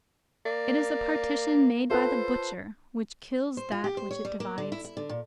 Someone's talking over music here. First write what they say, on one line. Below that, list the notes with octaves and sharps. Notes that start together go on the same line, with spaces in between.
It is a partition made by the butcher, which kills that which it divides.
A#3 D5
F4 A4 B4 C5
C5
F4
G4
C5
C#5
G3
A#3
D3
E4
E4
D3
A#2